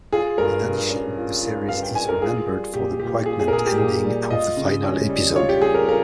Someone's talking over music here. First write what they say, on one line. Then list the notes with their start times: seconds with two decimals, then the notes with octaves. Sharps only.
In addition, the series is remembered for the poignant ending of the final episode.
0.13 F4 G#4
0.38 G2 A#4
0.64 G2
0.90 C#4
1.17 F4
1.43 F4
1.69 G2 F5
1.83 G5
1.95 F4 G#5
2.09 A#4
2.22 F4 G#4
2.47 G3
2.74 A#2 G4
3.00 A#2 G4
3.26 F4 G#4
3.40 G#4
3.48 A#4
3.53 A#2 G#4
3.66 G4
3.78 A#2 G#4
4.04 G3
4.30 F4 D#5
4.57 C#3
4.83 C#4
5.09 G3
5.36 F4 C#5
5.49 G4
5.61 G3 G#4
5.74 A#4
5.88 F4 A#4